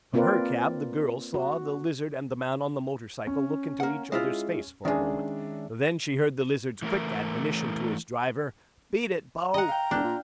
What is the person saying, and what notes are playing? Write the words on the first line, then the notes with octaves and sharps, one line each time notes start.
From her cab the girl saw the Lizard and the man on the motorcycle look into each other's face for a moment, then she heard the Lizard's quick admonition to his driver, "Beat it, bo!"
A#3 C4 F4 A#4 B4 D5
F#4
C#4
A#3 F#5
G#3 E4 F4
D#3 G#3 C#4 D4 E5
E3 A3 E4 A#4
D#5 F#5 A#5
F5 G5
E1 D4 F6 G6
A#2